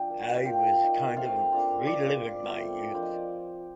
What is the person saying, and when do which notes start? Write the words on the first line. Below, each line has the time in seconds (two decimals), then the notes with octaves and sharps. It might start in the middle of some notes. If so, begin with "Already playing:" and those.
I was kind of reliving my youth.
Already playing: F3 D4 F5 G5
0.10 A#3 F4
0.37 F5
0.46 A#3 F4 G5
0.81 A#3 D#4
1.16 A3 C4 F4 F5
1.52 A#3 D4 F4
1.87 A#3 F4 D5
2.22 A#3 F4
2.58 A3 C4 F4
2.94 F3 A#3 D4 F4 C5
3.02 D#5
3.11 D5